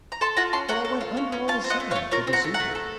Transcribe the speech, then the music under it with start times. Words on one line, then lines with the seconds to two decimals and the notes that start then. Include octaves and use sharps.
But I went under all the same to deceive them.
0.12 A#5
0.21 A4 A5 C6
0.37 F4 F#5 A#5
0.53 C#4 A5 C6
0.68 C#4 F#5 A#5
0.85 A4
1.01 F4
1.17 C#4
1.32 C#4
1.48 F4 F5 A5
1.64 C4
1.70 D#5 F#5
1.80 A3
1.91 C#5 F5
1.96 A3
2.11 F4 A#4 C#5
2.27 C4
2.33 F#5 A#5
2.44 A3
2.54 F#5 A#5
2.60 A3
2.75 A4